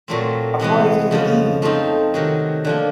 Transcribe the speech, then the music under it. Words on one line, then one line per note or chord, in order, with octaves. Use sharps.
According to the E!
A#2 F#3 A3 C4
C3 E3 G#3 B3
F2 C#3 F3
F3 A3 C4 D#4
C3 D#3 F#3
D3 F3 A#3